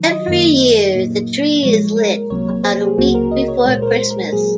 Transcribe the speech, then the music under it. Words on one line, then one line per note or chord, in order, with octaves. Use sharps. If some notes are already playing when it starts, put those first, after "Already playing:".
Every year, the tree is lit about a week before Christmas.
Already playing: D#3 F#3
D#5
F#2 D#3 A#3
A#2 F#3 A#3
A#2 F3 G#3 C#5
A#4
C2 C3 F#3 A#3 C#5
C#5
C5
G#4
C#2 C#3 F#3 A#3 F#4
A#4
D#5
C#5
A#2 G#3 C5
A#4
C5
A#4
A#2 F#3 G#4